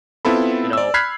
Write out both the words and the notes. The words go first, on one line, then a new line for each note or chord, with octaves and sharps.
you know
B3 C4 E4 F4 A4 B5
D5 E6
B5 F6 F#6 G#6 B6 C7